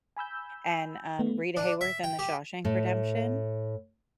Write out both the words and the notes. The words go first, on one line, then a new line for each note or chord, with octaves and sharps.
and, um, Rita Hayworth in The Shawshank Redemption,
G#5 B5 E6 G6
A3 B3
D4
E5
G5
G4
A2 A3